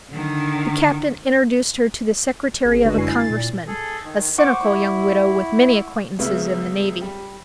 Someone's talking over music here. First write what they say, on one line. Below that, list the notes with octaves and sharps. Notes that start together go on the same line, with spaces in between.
The captain introduced her to the secretary of a congressman, a cynical young widow with many acquaintances in the navy.
D3 D#3
G#1 G#4
D3 G#3 D4 F#4 B4
F#2 E4 G#5 C7
A6
A#2
G#4 A4
D#3
C5 F#5 C#6 D6
E4
C#2 C#3 B3 E5
G3